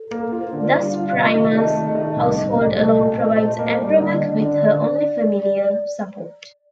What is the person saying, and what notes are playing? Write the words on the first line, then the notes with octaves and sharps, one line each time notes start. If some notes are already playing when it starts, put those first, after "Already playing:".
Thus Priam's household alone provides Andromache with her only familial support.
Already playing: A4
A#3
F4 A#4
C5
D3 A#4
D5
G3
F5
F4
F5
C3 D#5
D#3
A3
D#3
A3
C2
C2
C2
A3 D#5
A#2
C4
A3
A#3
G3
D3
D3
D3 D5
D3